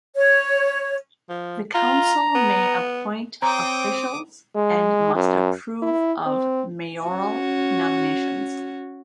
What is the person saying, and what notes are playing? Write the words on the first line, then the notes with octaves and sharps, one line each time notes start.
The council may appoint officials and must approve of mayoral nominations.
C#5
F3
F4 A#5
B3
C4 C5 C#5 G5 A#5 D6 D#6
G#3
F#2
E4
C4
C#4 F#4